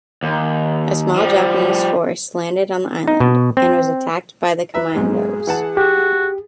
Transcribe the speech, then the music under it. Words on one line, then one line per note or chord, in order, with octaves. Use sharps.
A small Japanese force landed on the island, and was attacked by the commandos.
D#2
F3 G3
D#4
B2
C4
B4 E5 A#5
B1 G#2 G#3 G#4
E3 F#5 A5
F#4 G4